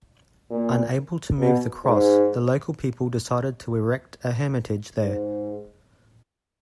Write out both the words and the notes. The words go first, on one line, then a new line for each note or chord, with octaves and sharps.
Unable to move the cross, the local people decided to erect a hermitage there.
A#2
B2
G#2
G#2